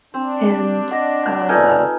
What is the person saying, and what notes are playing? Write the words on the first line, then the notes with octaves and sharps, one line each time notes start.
and, uh
C4 D4
D#5 F#5 D6 A#6
D#4 F4 A4 B4 D5 G#5 F6